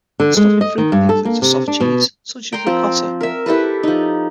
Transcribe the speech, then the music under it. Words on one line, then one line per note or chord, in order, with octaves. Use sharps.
The stuffing frequently includes a soft cheese, such as ricotta.
D3
G#3
D#5
D#3
G2
A4
A#3
C3
D4
B2
G5 A#5 C6
F3 C4
A#4 E5
E4 G4 A4 B4
F3 D#4